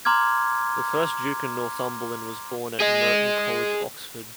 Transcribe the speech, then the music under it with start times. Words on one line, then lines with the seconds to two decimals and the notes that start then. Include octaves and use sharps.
The first Duke of Northumberland was born at Merton College, Oxford.
0.05 A#5 C6 D6 F6 G#6
2.81 G#4 D#5